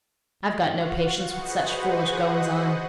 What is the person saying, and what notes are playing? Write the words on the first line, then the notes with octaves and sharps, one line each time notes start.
"I've got no patience with such foolish goin's-on."
F4 F#4 F5 F#5
F#4 G#4 B4 C5 D#5 F#5